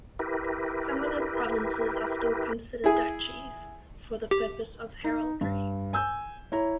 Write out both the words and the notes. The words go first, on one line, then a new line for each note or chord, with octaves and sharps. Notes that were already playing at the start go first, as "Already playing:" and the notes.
Some of the provinces are still considered duchies for the purposes of heraldry.
E4 G4 A#4 B4
E4 G#4
G4
D#4
G2
G#5 E6 G6
E4 C#5 A#5